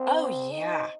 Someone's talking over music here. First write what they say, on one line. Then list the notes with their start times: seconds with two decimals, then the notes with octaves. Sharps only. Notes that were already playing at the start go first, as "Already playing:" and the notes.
Oh, yeah.
Already playing: C4
0.52 D#4